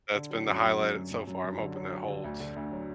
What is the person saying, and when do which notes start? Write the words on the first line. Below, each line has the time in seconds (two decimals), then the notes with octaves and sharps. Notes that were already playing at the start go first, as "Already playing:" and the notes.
that's been the highlight so far. I'm hoping that holds.
0.15 D3
0.31 F#3
0.47 F#2
0.63 F#3
0.79 F#2
0.95 F#2
1.11 F#2
1.27 F#2
1.44 F#2
1.59 D3
1.75 F#3
1.92 F#3
2.08 D3
2.24 D2
2.40 D3
2.56 D2
2.72 F#3